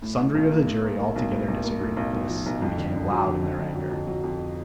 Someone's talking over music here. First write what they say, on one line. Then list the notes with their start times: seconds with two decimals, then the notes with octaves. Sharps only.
Sundry of the jury altogether disagreed with this, and became loud in their anger.
0.02 A2
0.19 A2
0.35 B1
0.51 A#3
0.67 A2
0.84 A#3
0.99 A#3
1.16 B1
1.32 A2
1.48 B1
1.64 A#3
1.81 A2
1.97 B1
2.13 B1
2.29 F3
2.46 B1
2.62 F2
2.78 D3
2.94 D3
3.11 F#3
3.27 D3
3.43 D3
3.59 D3
3.76 F#3
3.91 F2
4.07 F#3
4.24 F2